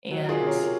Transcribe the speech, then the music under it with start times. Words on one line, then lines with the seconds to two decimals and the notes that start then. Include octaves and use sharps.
and s
0.11 F#3
0.24 A#4
0.29 F4 G#4
0.39 C3
0.47 A#4 C#5